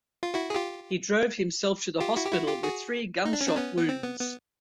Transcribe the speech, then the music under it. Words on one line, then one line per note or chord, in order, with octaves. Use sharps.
He drove himself to the hospital with three gunshot wounds.
F4
E4 F#4
G#4
F4 G4
F4 G4
E4 F#4
G4
E4 F#4
F4 G4
F#4 G#4
D#4
D4
C#4
C4 D4
B3 C#4
B3
C4
B3
B3